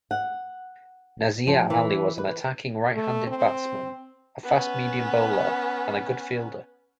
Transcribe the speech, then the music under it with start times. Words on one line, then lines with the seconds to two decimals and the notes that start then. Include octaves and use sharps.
Nazir Ali was an attacking right-handed batsman, a fast-medium bowler and a good fielder.
0.11 F#5
1.47 F3
1.70 E3
2.18 B4
2.94 A3
3.27 C4
4.44 B3 C#4